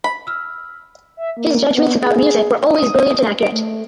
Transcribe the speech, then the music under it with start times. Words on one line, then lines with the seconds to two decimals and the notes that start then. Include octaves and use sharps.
His judgments about music were always brilliant and accurate.
0.04 B5
0.27 E6 F6
1.17 E5
1.37 A#3
1.73 B3
2.01 G#4
2.71 D#6
3.36 D7
3.52 A3